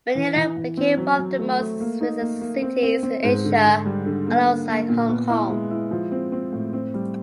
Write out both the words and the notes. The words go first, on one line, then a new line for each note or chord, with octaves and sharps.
Manila became one of the most visited cities in Asia alongside Hong Kong.
E3
E3
E3
C4
F#3
F#3
A3
A3
A#3
D#4
A#3
A#3
C4
C4
C4
G#2
D3
D3
G3
D3
A#3
A#3
A#3
A#2
B3
E4
G#3
E4
F3
C4
C4
A2
C4
G3